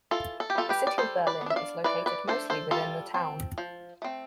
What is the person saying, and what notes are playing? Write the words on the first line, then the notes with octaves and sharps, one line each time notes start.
The City of Berlin is located mostly within the town.
E3 F4 A4
A4
G4
G3 B3 F4 A4
G4 B4
D5
G3 A4 C5
B4 D5
B3
D4 E5
D5 F5
E3 B4 D5
B4 D5
A3 D4 A4 C5
A4 C5
G3 F4 A4
C4
F3
A3 C4